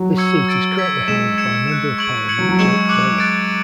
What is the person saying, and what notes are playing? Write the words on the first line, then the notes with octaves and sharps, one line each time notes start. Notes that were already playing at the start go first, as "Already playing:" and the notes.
This seat is currently held by Member of Parliament Jake Berry.
Already playing: F#3
C#6 E6 G#6 C#7
E6 A6 D7
E6 G#6 B6
G#3 G#6 B6 E7
G#6 C#7 E7
F#6 C#7 E7
C#6 G#6 D7 F#7
G#6 C#7 F#7
F#3
F#3
G#3 C#6 G#6 C#7 E7
D6 F#6 C#7 F#7
F#6 A6 D7